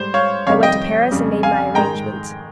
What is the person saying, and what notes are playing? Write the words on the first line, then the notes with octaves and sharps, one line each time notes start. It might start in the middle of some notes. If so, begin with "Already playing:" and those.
I went to Paris and made my arrangements.
Already playing: G#2 G3 C5
C#5 F5
F2 C3 D#3 G3 C#5 F5
D#5 G5
F2 C#3 G3
F5 G#5
G#2 D#3 G#3 G5 A#5